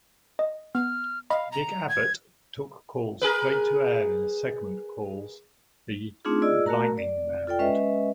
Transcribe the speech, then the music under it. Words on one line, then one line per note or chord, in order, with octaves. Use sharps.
Nick Abbot took calls straight to air in a segment calls the "Lightning Round".
D#5
B3 F6
D#5 F5 B5
A#5
G#6
G#4 A#4 B4
A3 C4 D4 D#4 F4 G#4
F4 G#4 D5 D#5 E6
A3 F#4 A#4 A#5
D5
F4 A4 D5 G5
G#3 C#4 B4 D#5 E5